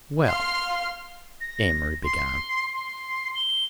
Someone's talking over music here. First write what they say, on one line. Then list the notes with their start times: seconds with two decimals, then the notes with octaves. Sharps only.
"Well" Amory began.
0.25 F5 C6 F6
1.41 A#6
2.04 C6
2.74 C6
3.35 G7